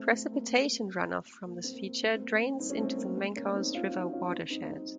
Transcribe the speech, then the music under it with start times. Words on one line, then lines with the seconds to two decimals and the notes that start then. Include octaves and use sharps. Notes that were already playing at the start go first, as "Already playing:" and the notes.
Precipitation runoff from this feature drains into the Mancos River watershed.
Already playing: A3 C4
0.12 A3 C4
0.32 A#3
1.46 A#3
1.64 C4
1.74 A#3
2.03 A3
2.16 C4
2.22 A#3
2.60 C4 D#4
2.70 C#4
2.79 A3 C4
2.97 A#3
3.17 A3 C4
3.36 A#3 C#4
3.55 C4 D#4
3.74 C#4 F4
3.94 D#4 F#4
4.12 C#4 F4
4.31 C4 D#4
4.50 C4 D#4
4.69 C4 D#4
4.82 D#4